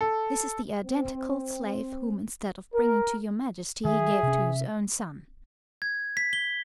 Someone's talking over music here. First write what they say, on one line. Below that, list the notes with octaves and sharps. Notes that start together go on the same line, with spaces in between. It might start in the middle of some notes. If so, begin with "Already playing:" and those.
This is the identical slave, whom instead of bringing to your Majesty he gave to his own son.
A4
C4
A#4
D#3 G#4 E5
C3 C#4
G#6
B6
G7